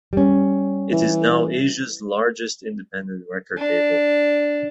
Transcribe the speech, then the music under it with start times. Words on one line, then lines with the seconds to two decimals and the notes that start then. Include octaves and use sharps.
It is now Asia's largest independent record label.
0.13 G3 C#4
0.92 E3
3.57 D4